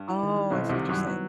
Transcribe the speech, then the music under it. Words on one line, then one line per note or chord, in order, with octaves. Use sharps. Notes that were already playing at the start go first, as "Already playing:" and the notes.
Oh, I see what you're saying.
Already playing: G2
E4
D#3
G3
B1 B2 C4
E4
C2 C3
D#3
F#2 F#3 G3
F#3 B3